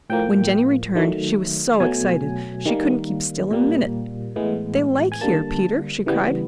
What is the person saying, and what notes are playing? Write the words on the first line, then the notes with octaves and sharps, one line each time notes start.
When Jenny returned she was so excited she couldn't keep still a minute. "They like here, Peter!" she cried.
A2 F3 A#3 G5
D#3 F#3 A3
B2 F#3 A3 G#5
D#3 G3 A#3
A#2 G3 A#3
A2 E3 G#3 B3
G#5
D3 G3 A#3 A5
C#3 E3 G3 B3